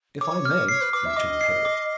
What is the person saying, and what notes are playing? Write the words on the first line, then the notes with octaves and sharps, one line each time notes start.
"If I may," returned Harry.
C#5 D6
F6
C#5 C7
B4
B4 D6
E5
D#5 D6
C7
D6